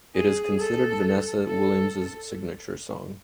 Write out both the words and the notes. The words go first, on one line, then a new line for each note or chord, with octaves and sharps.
It is considered Vanessa Williams' signature song.
G#4
A4
A4